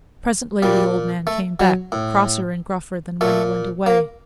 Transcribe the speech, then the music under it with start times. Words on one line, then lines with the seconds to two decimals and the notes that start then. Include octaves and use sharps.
Presently the old man came back, crosser and gruffer than when he went away.
0.63 A#2 G3
1.27 A3
1.60 F#3
1.92 A2
3.21 A#2 A3
3.86 A#3